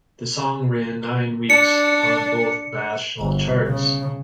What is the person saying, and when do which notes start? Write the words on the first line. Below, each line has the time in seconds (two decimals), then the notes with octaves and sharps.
The song ran nine weeks on both national charts.
1.50 D4 C#7
3.21 G1
3.67 C#3